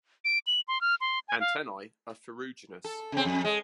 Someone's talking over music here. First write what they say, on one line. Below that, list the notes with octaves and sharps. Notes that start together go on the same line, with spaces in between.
Antennae are ferruginous.
D7
F#7
C6
F6
C6
G#5
F5
A4
C#3 C4
F2
G#3